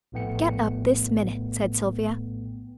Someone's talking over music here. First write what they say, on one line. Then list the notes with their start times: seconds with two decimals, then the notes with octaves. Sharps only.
"Get up this minute," said Sylvia.
0.12 A#1 A2 A3 B3 G5 C#7